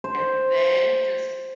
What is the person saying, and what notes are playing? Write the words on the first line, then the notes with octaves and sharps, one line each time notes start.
And then just
C5